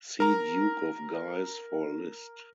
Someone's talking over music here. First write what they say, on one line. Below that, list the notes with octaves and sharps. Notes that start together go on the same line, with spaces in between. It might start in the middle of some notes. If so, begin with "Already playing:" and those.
See Duke of Guise for a list.
A#4 A#5